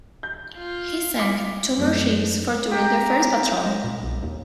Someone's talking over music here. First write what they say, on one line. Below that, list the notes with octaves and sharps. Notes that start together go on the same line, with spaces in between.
He sank two more ships for during the first patrol.
G6
F4
D6 B6
F#2 F#3 A3
G4 A#5
G#3
A#2
B1
D#2